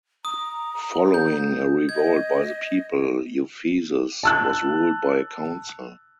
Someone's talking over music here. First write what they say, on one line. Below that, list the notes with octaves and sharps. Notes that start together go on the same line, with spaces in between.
Following a revolt by the people, Ephesus was ruled by a council.
A#5 D#6
G6
D#5 G#6
A5 E6 F#6